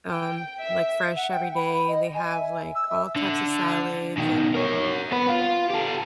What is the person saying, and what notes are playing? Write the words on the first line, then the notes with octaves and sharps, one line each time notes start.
um, like, fresh every day, they have, like, all types of salads and,
G5
E5
F#5
G5
B5
D#5
G#5
E5
E6
E5
D3
B2 D#3
A#4 C#5
B3 B4
F4
G4 A4